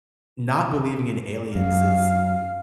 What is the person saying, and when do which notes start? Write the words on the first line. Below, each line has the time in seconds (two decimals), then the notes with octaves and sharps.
not believing in aliens is
1.55 F#2 F5